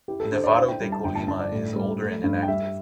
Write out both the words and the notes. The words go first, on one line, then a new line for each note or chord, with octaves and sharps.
Nevado de Colima is older and inactive.
E4 G4
A4
D3 C5
D5
E4 C5
G5
G3
A5
G1 G5
A5
G2 A5
D5
A2
G3
A3
G2
G5
G3 E5